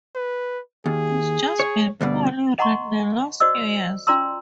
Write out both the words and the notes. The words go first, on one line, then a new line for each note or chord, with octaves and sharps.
It's just been poorly run the last few years...
B4
D#2 G#4
C#5
D2 G2 B2 D5
D#5 F#5 A#5 C6 C#6
F#4 C5 D5 D#5 E6
C#4 F4 D5 A#5 C6 E6